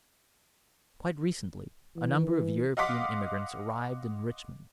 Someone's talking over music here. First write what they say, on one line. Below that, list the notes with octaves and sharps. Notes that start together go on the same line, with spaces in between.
Quite recently a number of European emigrants arrived in Richmond.
E3
D#5 F5 F#5 C6 D6 B6